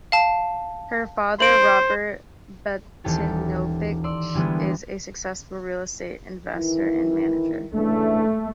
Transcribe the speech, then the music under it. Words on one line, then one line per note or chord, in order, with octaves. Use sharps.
Her father, Robert Batinovich, is a successful real estate investor and manager.
F5 A5
C5 D7 F#7
D#1 E3 G4 A4
D5 C6 E6
D3 E3 G3 G#3 B3
D#3 E3 E4
C#3 E3 A3 D4